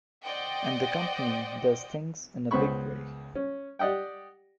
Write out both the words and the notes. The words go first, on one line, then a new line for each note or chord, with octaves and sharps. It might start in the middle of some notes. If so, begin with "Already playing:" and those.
And the company does things in a big way.
C5 D5 D#5 F#5 G5
C#2 B3 C5 B5 C#6
C#4
G4 D5 D#5 F#5 G5